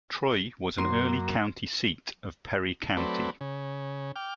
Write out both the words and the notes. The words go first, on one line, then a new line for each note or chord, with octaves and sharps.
Troy was an early county seat of Perry County.
F#2 A#3 C6
F#3 A3 C4 B4 D5
C#3
G5 D6 F6